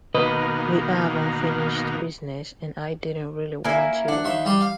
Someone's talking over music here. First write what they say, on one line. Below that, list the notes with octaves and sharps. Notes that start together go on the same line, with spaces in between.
We have unfinished business, and I didn't really want to leave here.
B2 D#3 A#3 B4 D#5
A#3 C#4 E4
D4 F#5
D#2 E5 C6
G3 G4 C6
F5